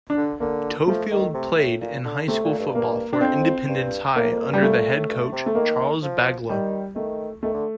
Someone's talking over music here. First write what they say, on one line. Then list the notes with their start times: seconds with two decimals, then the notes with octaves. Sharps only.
Toefield played high-school football for Independence High under head coach Charles Baglio.
0.10 D4
0.17 D3
0.40 D3 A#3
0.87 F3 A3
1.11 D#3
1.34 C3
1.58 A2
1.81 A#2
2.04 D3
2.28 C3 A3
2.44 A#2
2.59 G2
2.75 A#3
3.13 D4
3.21 F2 C4
3.68 G2
4.15 A2 A#3
4.31 F2
4.41 F2
4.46 G2
4.54 G3
4.61 A#2 A3
4.77 A#2
4.93 A2
5.08 G2
5.32 C3
5.46 A3
5.55 D#3 A#3
6.02 F3
6.49 D#3 G3
6.95 D#3 A3
7.43 D#3 A3
7.53 D3